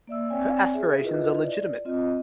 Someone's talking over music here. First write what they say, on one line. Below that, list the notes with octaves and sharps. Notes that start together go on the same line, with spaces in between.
Her aspirations are legitimate.
A#3 D5 E5 E6
C4 C#5 D5 G5 G#5
G#4 E5
E4 F4 A#4 B4 D#5 E5
D5
C4 F4 D#5